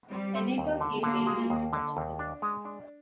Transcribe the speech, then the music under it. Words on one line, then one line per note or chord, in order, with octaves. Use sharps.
Senator Kay Bailey Hutchison.
G3 C4
C4
D#2
D3
D3 A#3
G#3
D#2
D3
D#2
D4
G#3
D4